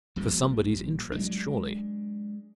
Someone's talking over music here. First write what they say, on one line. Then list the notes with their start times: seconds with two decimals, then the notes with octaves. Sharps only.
For somebody's interest, surely.
0.16 A#1 A#2 F3 G3
1.12 F#3 G#3 D4